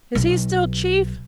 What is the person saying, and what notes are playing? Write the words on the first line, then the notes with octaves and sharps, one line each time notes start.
"Is he still chief?"
B1